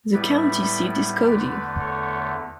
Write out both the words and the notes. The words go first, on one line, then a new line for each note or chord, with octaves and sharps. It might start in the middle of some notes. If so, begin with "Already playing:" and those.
The county seat is Cody.
A2 G3 B3 E4 B4 D5
E2 D3 A3 B4 D5
A4 C#5